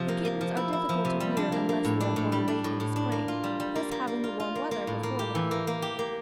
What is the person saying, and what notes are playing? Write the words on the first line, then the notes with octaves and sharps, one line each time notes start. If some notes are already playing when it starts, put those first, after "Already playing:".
The kittens are difficult to rear unless they are born late in the spring, thus having the warm weather before them.
Already playing: C3 F3
A#3
A#3
F3
E4
E4
F3
C3
G3
D4
A#3
A#3
A2
D4
A2
G3
D4
A2
A2
D4
A#3
F4
G3
G3
A#3
A#3
A#3
F4
F4
A#3
A#3
A2
A#3
G4
E3
A#3
A#3
G4
A#3